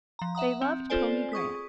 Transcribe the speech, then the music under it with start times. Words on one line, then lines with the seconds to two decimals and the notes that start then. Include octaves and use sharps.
They loved pony Grant.
0.19 F3 A#5
0.35 E5 F#5 A#5 D#6
0.62 C4
0.90 C4 F4 A4 C5 D5 G#5
1.32 G#4 C#6 D#6 B6